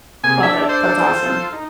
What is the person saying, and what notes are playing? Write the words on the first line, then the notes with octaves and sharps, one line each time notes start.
Love it. That's awesome.
C3 A#3 G#4 G#5
D4 A4 E5
C5
F4 A4
D#4